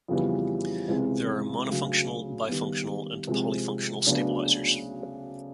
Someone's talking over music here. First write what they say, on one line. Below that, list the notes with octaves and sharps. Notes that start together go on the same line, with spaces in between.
There are monofunctional, bifunctional, and polyfunctional stabilizers.
F2 C#3 E3 G3 B3
C#2 C3 E3 G#3 C4
D2 C#3 F#3
D#3 G3 B3
C3 F3 G#3
D2 C#3 F#3 B3 D4